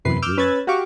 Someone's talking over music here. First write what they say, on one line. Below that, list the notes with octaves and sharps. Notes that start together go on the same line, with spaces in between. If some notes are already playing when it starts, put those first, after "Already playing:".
We do.
F#2 C3 B4 C7
D6 E6 F6 G6
C#4 B4 E6 F#6 G#6 A6
F#4 G4 F5 C#6 D6